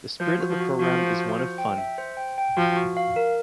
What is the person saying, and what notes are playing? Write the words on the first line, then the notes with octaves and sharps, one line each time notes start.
The spirit of the program is one of fun.
F3 C5
F#4
F3
F#4
F3 F#4
C5
F#4
C5
G5
E5
C5
G5
G5
F3 F#4
F#4
F5
A#4